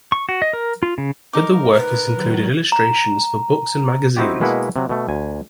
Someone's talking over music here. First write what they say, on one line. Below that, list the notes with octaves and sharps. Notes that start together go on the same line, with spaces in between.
Other work has included illustrations for books and magazines.
C#6
F#4
D#5
A#4
F4
C#3
D#4 A#4 D6
B4
D#3 F#3
A#5
C4 D#4 E4 F#4 G4
B2 G#3 A#3 E4 B4 F#5
C3 F#3
B2 A3
D2 G#5